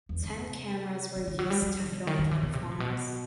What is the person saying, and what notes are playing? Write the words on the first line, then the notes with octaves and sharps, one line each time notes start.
Ten cameras were used to film the performance.
E2
C3
D#3
D#3
F#3
G3
G3
F#3
C3
B2
D#3
D#3
E3
B2
C3
B2
A2
B2